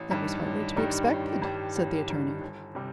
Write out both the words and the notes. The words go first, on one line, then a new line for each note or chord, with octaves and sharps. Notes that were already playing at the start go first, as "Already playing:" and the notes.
"That was hardly to be expected," said the attorney.
Already playing: A1
G2 D#3 G3
A1
G2 D#3 G3
A1
G2 D#3 G3
A1
G2 D#3 G3
G1
C3 G3